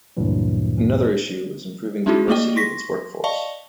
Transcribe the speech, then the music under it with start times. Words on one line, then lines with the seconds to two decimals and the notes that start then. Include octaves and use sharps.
Another issue was improving the diversity of its workforce.
0.17 D2 G2 A#2 E3 F#3
2.06 G#3 C#4 D#4 E4 F#4 G#4
2.28 A3 A#3 F4 D5 D#5 G5
2.56 C6 C#6 A#6 B6
3.24 D5 D#5 F5 A5 C#6